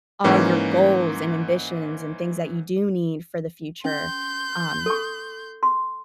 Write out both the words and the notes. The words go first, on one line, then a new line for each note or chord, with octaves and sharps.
all your goals and ambitions and things that you do need for the future, um,
G#2 E3 A#3 C#4
C#4 C6 G6
A4 C#6
C6